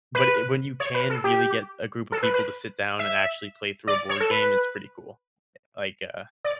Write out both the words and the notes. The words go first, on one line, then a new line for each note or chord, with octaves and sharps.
but i when you can really get a group of people to sit down and actually play through a board game, it's pretty cool, eh, like, uh,
B4
C#5
B4
A4
G4
A4
B4
B4
E5
D5
C#5
A4
B4
D5